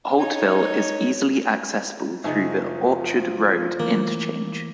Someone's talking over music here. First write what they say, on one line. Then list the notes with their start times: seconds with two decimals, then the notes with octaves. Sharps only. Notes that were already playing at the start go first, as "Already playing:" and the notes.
Holtville is easily accessible through the Orchard Road interchange.
0.19 D#4 C#5
2.24 F#1 F3 D#4 E5 G#5
3.80 E3 A3 A#3 E4